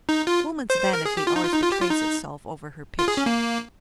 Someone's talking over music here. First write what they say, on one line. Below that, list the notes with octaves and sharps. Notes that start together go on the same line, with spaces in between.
Woman's vanity always betrays itself over her picture.
D#4
F4
C5
C5
A#4
G#4
G4
F4
D#4
F4
D#4
F4
G4
F4
D#4
F4
G#4
C#4
A#3